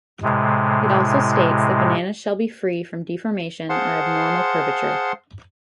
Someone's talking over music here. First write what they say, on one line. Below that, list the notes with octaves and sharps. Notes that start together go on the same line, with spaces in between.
It also states that bananas shall be free from deformation or abnormal curvature.
A2 C3 G#3
G#4 C5 F5 F#5 A5 C6